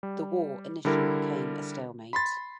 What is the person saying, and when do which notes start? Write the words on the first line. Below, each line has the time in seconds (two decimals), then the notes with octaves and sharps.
The war initially became a stalemate.
0.03 G3
0.85 D3 G3 E4 A#4
2.13 B5 C6 A6